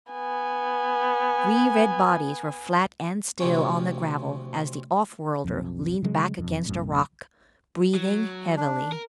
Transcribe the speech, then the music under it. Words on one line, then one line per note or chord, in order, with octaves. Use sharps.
Three red bodies were flat and still on the gravel as the off-worlder leaned back against a rock breathing heavily.
B3 G#5
D2 C3 F3 C#4
B1 F2
C#3 F#3 G#3
E1 F2
B1 F#2 A2
F#3
D4
A#4